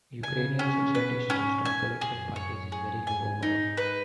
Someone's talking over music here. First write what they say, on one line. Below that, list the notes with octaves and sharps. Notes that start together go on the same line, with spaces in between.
Ukrainian society's trust of political parties is very low overall.
C#3 G#5
C#4
B2 B4
G#2 C#4
G#5
F#2 G#4
C#5
G#4
G#2 G#5
G#2 D#4
B4